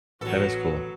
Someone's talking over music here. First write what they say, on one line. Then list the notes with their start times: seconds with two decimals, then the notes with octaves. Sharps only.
That is cool.
0.21 A1 F#3 B3 F#4 A4